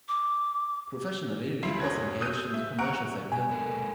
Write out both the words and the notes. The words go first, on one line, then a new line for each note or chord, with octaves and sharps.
Professionally, Leip was engaged in the commercial sector.
D6
D2 E4 C7
F#1 C#4 F#4 G#6
D#6 E6 F#6 G6 D#7
E5
F#5 A#5 C#6 F#6 D7
B2 G#5
G#2 A4 A#4